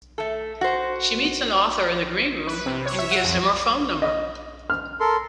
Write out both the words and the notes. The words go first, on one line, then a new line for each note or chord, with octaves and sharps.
She meets an author in the green room and gives him her phone number.
A3 A4
F#4 C5
B4
C3
C#5
E5
F#5
F2
D#5
F6
A4 A#4 C6